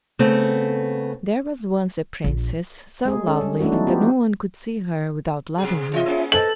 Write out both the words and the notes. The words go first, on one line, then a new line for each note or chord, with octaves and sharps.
There was once a Princess so lovely that no one could see her without loving her.
C#3 A3 B3 C4
A#1
G#3 G#4
C#4 A4
G3
A3 C#4 D4 E4 F#4
E3 F#3 B3 D#4 E4
F3 B3 F4 G4
B2 G#4
E3 F4 C#5 D#5 E5
A#3 C#4 G#4
A4 B4 C5 D#5 F#7